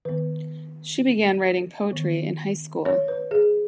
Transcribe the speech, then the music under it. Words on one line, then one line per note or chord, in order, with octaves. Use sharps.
She began writing poetry in high school.
D#3 B3 B4
D#3 B3
C#5
B4
G#4